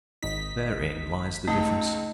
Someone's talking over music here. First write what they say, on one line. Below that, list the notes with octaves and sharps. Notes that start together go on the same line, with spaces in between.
Therein lies the difference.
G#1 D#4 B6
C#2 A3 D#4